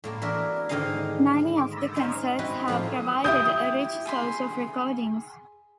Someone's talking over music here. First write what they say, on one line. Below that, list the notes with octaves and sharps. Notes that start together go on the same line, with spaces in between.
Many of the concerts have provided a rich source of recordings.
A2 A#3 A5
E3 D4 F#4 A#4 E5
G#2 D3 D#3 G#4 D#5 F5
C#4 D#4 A#4
C4 D#4 E4 F#4 B4
A2 F3 A#3 F4
E4 G4 G#4 D#6 G6
G#4 B5 C6